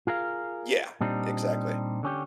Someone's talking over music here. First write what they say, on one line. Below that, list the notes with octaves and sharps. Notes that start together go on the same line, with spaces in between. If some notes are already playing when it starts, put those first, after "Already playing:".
Yeah. Exactly.
F4 G#4 A#4 F5
A#2 G3 C4 D4 D#4
D3 C#4 G4